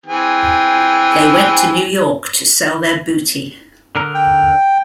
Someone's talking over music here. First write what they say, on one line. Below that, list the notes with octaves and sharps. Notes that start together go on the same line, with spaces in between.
They went to New York to sell their booty.
E3 C4 G#4
D3 A#4
G5